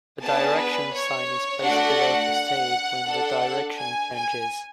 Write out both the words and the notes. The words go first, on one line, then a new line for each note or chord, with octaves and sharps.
A direction sign is placed below the stave when the direction changes.
B3 D4 G#4 A5
B4
C#5
A3 D4 F#4 F#5
D4 A4
G#5
G#5